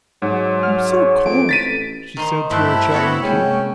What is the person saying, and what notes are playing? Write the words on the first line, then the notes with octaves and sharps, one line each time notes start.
"I'm so cold!" she said through her chattering teeth.
G#2 F#3
F6
C#5
F2 D7
A1 A6 B6 D#7
D#3 C5
G2 A3 C4 E4 G4 A5 F#6
B3 F#4 A4 C#5
C3 G#3 A#3 C#4 G5